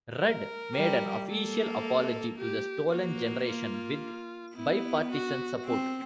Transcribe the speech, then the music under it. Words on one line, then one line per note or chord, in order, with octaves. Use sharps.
Rudd made an official apology to the "Stolen Generation" with bi-partisan support.
A#4
G3
A#3 A4
G4
A#3 F#4
F4
B3 E4
F#4
C4